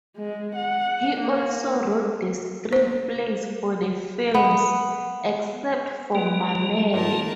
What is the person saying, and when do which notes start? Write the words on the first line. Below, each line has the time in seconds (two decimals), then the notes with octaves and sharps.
He also wrote the screenplays for the films, except for "Mamele".
0.17 G#3
0.55 F#5
1.20 A#3
2.73 C5
4.34 B3
6.15 G#3 A#3 B4
6.94 G#2 A#4 A5